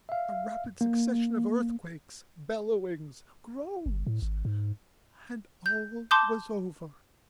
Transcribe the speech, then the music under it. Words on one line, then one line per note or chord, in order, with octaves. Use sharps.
A rapid succession of earthquakes--bellowings--groans,--and all was over.
E5 F5
A#3
G1
A2
G#1
G#2
G6
A5 C6 D6 D#6 G6